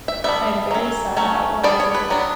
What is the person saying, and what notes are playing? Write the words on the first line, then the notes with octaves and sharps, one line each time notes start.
I am very sad about what I did.
E5
G3 B3 D4 E5
F#3 C#4
F#3 A3 C#4
G3 B3 D4 D5
C#5
B4
F#3 B3 D4